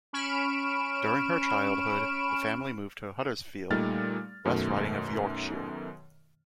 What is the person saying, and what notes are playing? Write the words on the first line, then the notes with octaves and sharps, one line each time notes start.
During her childhood the family moved to Huddersfield, West Riding of Yorkshire.
C#4 B5 C#6 F6 D7 E7
A#2 G3 A3 D#4 F6 A6
F#2 B2 D#3 A3